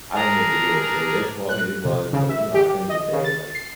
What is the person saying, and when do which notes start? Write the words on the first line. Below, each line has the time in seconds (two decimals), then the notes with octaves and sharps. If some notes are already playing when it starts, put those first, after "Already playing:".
I don't really think it was really his fault. I mean, it was. But, you know, at the end of the day, like,
0.15 D4 G#4 A#4 A#5
1.49 F#6
1.85 C3
2.13 C#3
2.29 E5
2.54 G4
2.89 D#5
3.13 C#3
3.24 A6
3.55 C7